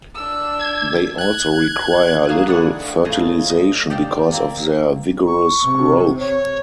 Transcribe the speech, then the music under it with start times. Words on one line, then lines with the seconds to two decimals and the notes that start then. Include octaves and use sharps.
They also require little fertilization because of their vigorous growth.
0.16 D4 E6
0.59 G#6
1.18 F#6 G#6
2.29 A3 A#3 G#4 F5 G#5
2.47 B3 D4 E4 F#5
3.05 C#3 A3 F4 G#4 D#5
3.49 D#5
3.90 G4 C5 D5 F5 G5 A5
4.32 A#3 C4
5.27 C#6
5.63 C3
6.19 C#5